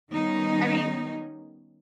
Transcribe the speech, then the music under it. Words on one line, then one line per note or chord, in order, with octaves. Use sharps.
I mean
D#3 G3 B3 C#4 D#4